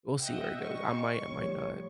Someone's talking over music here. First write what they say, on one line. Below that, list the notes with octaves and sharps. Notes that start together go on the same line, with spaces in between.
we'll see where it goes. I might, I might not
D#5 E5 F#5 G5
G3 D#5 C#6
A2 F3 G3 C#5